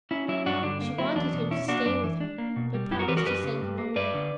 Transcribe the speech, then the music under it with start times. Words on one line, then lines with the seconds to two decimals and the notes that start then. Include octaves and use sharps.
She wanted him to stay with her but promised to send him away.
0.11 C#4 E4
0.28 F#3 E4
0.46 G2 D4 F#4
0.63 D3 D4
0.81 A#3
0.98 F#3 E4
1.16 E2 D4
1.33 B2
1.51 C#4 E4
1.68 A#3 D4 F#4
1.86 F#2 D4
2.04 E3
2.21 D4
2.38 A#3
2.56 B2
2.74 G3
2.91 F#2 E4 G4
2.99 F#4 A#4
3.08 E3 G4 B4
3.17 F#4 A#4
3.26 F#2 G4 B4
3.44 C#3
3.61 G2
3.78 A#3
3.96 G2 B4 D5
4.14 D3